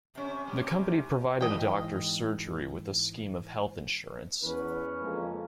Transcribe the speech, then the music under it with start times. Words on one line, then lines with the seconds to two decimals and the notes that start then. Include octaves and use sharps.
The company provided a doctor's surgery with a scheme of health insurance.
0.15 C3 C#4
0.47 G3 C#4 G4
0.74 C3
1.41 G#2 E3 D#5 G5
4.42 E2 C#4 B4
5.01 F2 C#3 G#3 A#3 A4